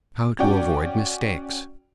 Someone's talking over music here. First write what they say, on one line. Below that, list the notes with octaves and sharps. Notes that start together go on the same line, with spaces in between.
How to Avoid Mistakes.
C#4 F#4 D5 G5